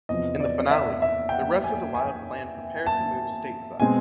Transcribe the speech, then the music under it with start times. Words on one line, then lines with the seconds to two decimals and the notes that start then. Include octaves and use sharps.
In the finale, the rest of the Wild clan prepared to move stateside.
0.09 E2 C3 F3 D#5
0.40 D5
0.71 E5
1.02 E5
1.29 G5
1.32 F#5
1.64 G#5
1.95 G#5
2.87 A5
3.80 B2 G#3 C4 G#5